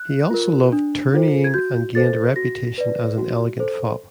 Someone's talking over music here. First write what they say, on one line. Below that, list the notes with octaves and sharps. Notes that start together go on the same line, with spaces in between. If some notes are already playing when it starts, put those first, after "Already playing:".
He also loved tourneying and gained a reputation as an "elegant" fop.
Already playing: F#6
F4 A#4
D4
F4 A4 C5
G#6
F#4 G6
A4 C5 A6
F#4 A#6
B4 D5
F#4
A4 C5